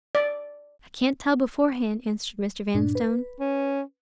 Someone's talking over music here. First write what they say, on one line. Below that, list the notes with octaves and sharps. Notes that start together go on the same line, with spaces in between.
"I can't tell beforehand," answered Mr. Vanstone.
D5
G2 A#2 D4
B4
C#4